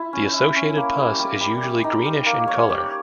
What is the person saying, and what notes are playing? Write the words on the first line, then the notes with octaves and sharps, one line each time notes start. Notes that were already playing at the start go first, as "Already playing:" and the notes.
The associated pus is usually greenish in color.
Already playing: E4
C#4
E4
C#4
A#3
G3
G3
G3
G3
D#4
G3
A#3
C#5
G4